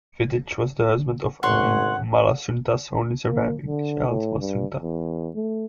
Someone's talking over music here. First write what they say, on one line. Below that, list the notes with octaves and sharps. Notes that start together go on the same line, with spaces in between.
Vitiges was the husband of Amalasuntha's only surviving child, Matasuntha.
G#1 A2 C#3 C#5 F#5 C6 F#6
A#3
D3
A2
G2
E2
A3